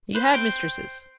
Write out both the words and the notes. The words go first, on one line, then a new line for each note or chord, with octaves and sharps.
He had mistresses.
B4 C5
C5 G5